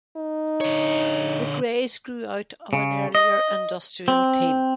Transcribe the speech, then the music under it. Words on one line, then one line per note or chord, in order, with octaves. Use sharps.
The Grays grew out of an earlier industrial team.
D#4
D3 C#5
C#3
D#5
C4